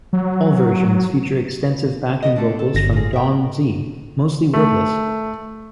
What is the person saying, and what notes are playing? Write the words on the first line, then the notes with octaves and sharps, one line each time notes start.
All versions feature extensive backing vocals from Dawn Zee, mostly wordless.
F#3
B3 G#4 D#5
A3 D4
A4
G1 A#6
F4 G#4
E5 G5
A3